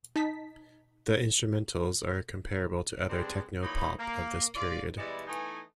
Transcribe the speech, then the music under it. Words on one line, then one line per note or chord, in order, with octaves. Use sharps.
The instrumentals are comparable to other techno pop of this period.
D#4 A5 B6
G3 G#3 B3 C4 D4
A#2 E3 F#3 D#4 B5
A#3
F4 D5
E3 G3 G#3 B3 E4 D5
E3 A3 B3 D#4 G#5